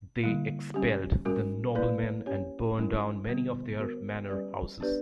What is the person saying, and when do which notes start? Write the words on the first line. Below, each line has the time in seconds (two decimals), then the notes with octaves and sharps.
They expelled the noblemen and burned down many of their manor houses.
0.23 D3 G3 A#3 E4
0.74 G3 C#4 G4
1.25 G3 C#4 F#4 A#4
1.75 A#3 E4 B4 D5
2.26 C#4 G4 C#5
2.77 G3 C#4 E4 A#4
3.29 D3 G3 B3 F#4
3.79 B3 F#4 A#4
4.29 G3 C#4 G4 B4 D5
4.80 B3 D4 G4 B4 D5